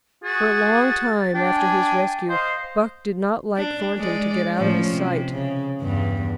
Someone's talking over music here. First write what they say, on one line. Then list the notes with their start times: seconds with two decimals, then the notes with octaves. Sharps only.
For a long time after his rescue, Buck did not like Thornton to get out of his sight.
0.24 F#4 G#4 A6
1.35 D4 G5
1.55 G#5
2.29 C5 D#5 F5
3.56 D4
3.97 G#3 D5
4.55 A2 F3 C#4
4.95 C3
5.32 C#3
5.81 E2 G2